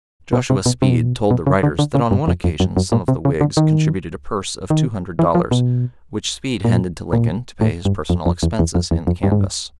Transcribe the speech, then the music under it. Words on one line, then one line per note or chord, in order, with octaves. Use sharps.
Joshua Speed told the writers that on one occasion some of the Whigs contributed a purse of two hundred dollars which Speed handed to Lincoln to pay his personal expenses in the canvass.
B2
C3
B2
C3
B2
A#2
B2
B2
C#3
D3
D3
C#3
G2
F2
F2
F#2
F#2
A#2
C3
C#3
D3
D#3
D#3
E3
F3
B2
A#2
A#2
A2
G2
F2
F2
E2
E2
F2
E2
F2
G2
G#2
G2